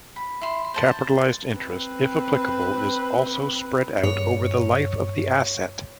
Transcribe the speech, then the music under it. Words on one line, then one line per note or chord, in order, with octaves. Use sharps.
Capitalized interest if applicable is also spread out over the life of the asset.
B5
E4 C6
C5 A5
C4 B4
G2 C#5